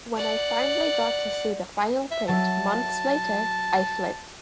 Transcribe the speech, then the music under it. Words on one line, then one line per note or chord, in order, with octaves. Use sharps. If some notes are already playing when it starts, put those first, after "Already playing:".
When I finally got to see the final print months later, I flipped.
D5 F#5
E5
F#3 E5 A5